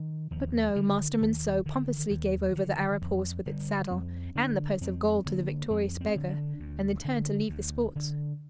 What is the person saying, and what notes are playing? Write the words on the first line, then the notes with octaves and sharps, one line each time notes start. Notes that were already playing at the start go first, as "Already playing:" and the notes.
But, no--Master Monceux pompously gave over the Arab horse with its saddle, and the purse of gold to the victorious beggar; and then turned to leave the sports.
Already playing: D#3
D#2 F3
D3 D#3
D#2 D#3
D3 D#3
D#2 D#3
D3
F2
D3 G3
F2 C4
D3 D4
F2 C4
D3 A#3
F2 C4
C4
D3
D4
D2
D3
D2
D3